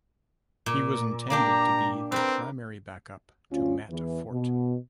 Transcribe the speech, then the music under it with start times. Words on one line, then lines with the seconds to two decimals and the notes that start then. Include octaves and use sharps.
He was intended to be the primary backup to Matt Forte.
0.66 A#2
1.30 A#3 D4 G4 A#5
2.12 C4 A#4 B4
3.52 D2 C#4 F4
3.90 E2 E3
4.30 B2